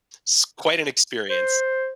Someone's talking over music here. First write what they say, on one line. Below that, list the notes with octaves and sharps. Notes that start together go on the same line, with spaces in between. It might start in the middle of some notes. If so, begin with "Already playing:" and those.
It's quite an experience.
C5